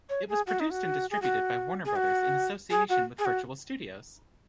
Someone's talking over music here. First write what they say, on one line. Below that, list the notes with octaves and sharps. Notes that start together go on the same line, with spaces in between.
It was produced and distributed by Warner Brothers in association with Virtual Studios.
C#5
G#4
F#4
D#4
F#4
G#4
F#4
G#4
F#4
G#4
F#4
G#4
F#4